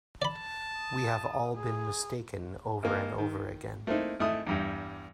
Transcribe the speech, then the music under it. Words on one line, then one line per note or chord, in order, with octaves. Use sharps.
We have all been mistaken over and over again.
D5 A5 B5
D#6
G#4
G#1 A#3
D#3
A3 A#3 C4 D#4 E4
G#1 A3 E4 D#6
E2 G2 G3